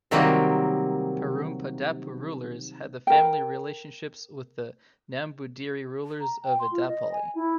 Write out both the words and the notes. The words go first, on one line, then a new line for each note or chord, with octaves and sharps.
Perumpadappu rulers had family relationships with the Nambudiri rulers of Edappally.
C3 D#3 F#3 G3 A#3 C4
A#4 G5
A#5
G5
C6
F4
D#5
G#5
E4